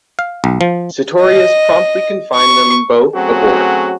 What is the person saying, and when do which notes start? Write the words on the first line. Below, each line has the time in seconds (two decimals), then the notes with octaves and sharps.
Sartorius promptly confined them both aboard.
0.19 F5
0.44 B1
0.61 F3
1.20 D#5
2.35 C#6
3.15 F#3 A3 C4 C#4 F#4 G#4